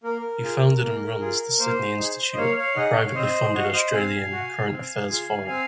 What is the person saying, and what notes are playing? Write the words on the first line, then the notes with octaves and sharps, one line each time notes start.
He founded and runs the Sydney Institute, a privately funded Australian current affairs forum.
A#3 A#4
F4 G#4
A#3
F4 G#4
A#3 C5
D#4
G#4
D#5
A#3 C#5 F5
C#5 F5
D#4 G#4 D#5 F#5
C#5 F5
C#5
C4 C5 D#5
F#4 D#5
F5
C5 D#5
C4 F5 G#5
F#4
C4
F4 G#4
C4 F5 G#5